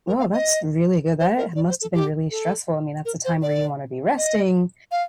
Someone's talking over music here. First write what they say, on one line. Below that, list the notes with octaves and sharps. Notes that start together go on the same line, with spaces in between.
Whoa, that's really good, that ha must've been really stressful, I mean, that's the time where you wanna be resting,
A#4
F5
D#5
C5
A#4
D5
C5
A4
G4
A4
A#4
C5
D5
D#5
F5